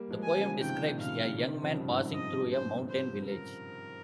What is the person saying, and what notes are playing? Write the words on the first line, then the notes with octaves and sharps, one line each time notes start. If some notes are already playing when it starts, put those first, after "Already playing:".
The poem describes a young man passing through a mountain village.
Already playing: G3 A#3
F3 G#3
G#5
C#3 F3
C#3
C3 D#3 G5
A#2 C#3 F5
C3 D#3
C#3 F3
G2
G#2
D#5
C5
C5
A#4